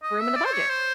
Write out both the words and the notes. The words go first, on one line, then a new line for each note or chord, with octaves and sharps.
room in the budget.
D#5
E5
D5
C5
C#5
C5